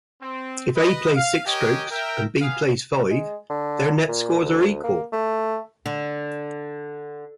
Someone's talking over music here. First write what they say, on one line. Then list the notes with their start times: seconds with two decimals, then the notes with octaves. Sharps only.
If A plays six strokes and B plays five, their "net" scores are equal.
0.22 C4
0.76 B4 D#5
1.15 F5
1.46 G4 A#4 C#5 D#5 G5 G#5
1.91 A#4 E5 G5
2.40 B3 G#4 F5
3.11 G#3
3.50 D3
4.08 A#2
4.41 D2
4.84 A#3
5.12 A3
5.86 D3